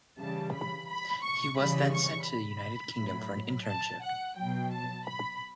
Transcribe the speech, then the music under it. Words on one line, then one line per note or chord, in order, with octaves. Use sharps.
He was then sent to the United Kingdom for an internship.
C#3 E3 G3 A5
B5
B5
C#6
C#3 E3 G3 B5
C#6
B5
A2 F#3
A5
F#5
B2 F#3 G5
A5
B5